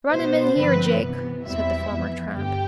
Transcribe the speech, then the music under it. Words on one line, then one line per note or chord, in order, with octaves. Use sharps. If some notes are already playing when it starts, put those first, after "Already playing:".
"Run him in here, Jake," said the former tramp.
B2 B3 C5
G2 D3 F3 C4 B4
C3 E3 B3
E2 B2 G3 C4 E4 E5
F2 E3 B3
G2 D3 G4 G5